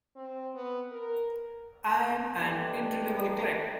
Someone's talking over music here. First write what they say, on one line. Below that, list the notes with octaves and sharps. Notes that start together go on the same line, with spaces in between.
I'm an entry-level clerk.
C4
B3
A#4
A3 D4 D#4 G4 B4